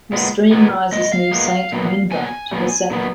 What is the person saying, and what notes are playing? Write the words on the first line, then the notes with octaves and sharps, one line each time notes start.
A stream rises near Saint Minver to the south.
A#2 G#3 B3
A#2 G#3 B3
A#2 G#3 D#5
F5
A#2 G#3 B3
A#2 F#3 B3
A#2 F#3 B3 G#5
A#2 F#3 B3
A#2 F#3 B3